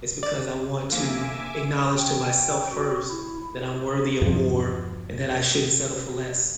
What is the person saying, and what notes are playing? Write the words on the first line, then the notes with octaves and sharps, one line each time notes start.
is because I want to acknowledge to myself first, that I'm worthy of more and that I shouldn't settle for less
D5
D3 F3 A#3 E5 G#5 D6
G5
F#4
E4
E2 G2 F3